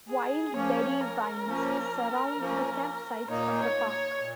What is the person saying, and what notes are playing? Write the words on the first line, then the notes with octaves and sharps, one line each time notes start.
Wild berry vines surround the campsites of the park.
G#4
F3 A#3 C#4 C#5
A#4
F3 A#3 C#4
F3 A#3 C#4
A#2 A#3 D#4 C#5
C#5
C#5
A#2